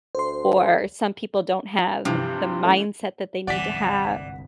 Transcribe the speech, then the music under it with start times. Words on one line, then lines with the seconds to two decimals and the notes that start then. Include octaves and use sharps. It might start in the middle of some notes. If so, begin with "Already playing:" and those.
or some people don't have the mindset that they need to have?
0.15 D2 C5 C6
2.05 G2 C3 E3 F3
2.63 E3 A3 C#4
3.47 G1 C2 G#2 E3 D5 F#5 B6